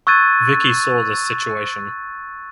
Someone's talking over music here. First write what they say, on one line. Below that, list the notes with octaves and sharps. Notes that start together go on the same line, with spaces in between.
Vicky saw this situation.
C#6 E6 F#6 G#6 A6 D#7